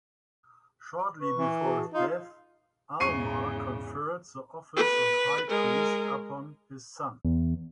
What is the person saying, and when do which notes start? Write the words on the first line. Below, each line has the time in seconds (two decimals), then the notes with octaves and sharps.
Shortly before his death, Alma conferred the office of high priest upon his son.
1.21 B4 C#6
1.35 E3
1.61 F#4 G#4 A5
1.93 D#4 F4 F5 C6
3.00 E2 G#2 C#3 C#6 C7 D#7
4.76 B4
5.50 G#3 A#4
7.25 E2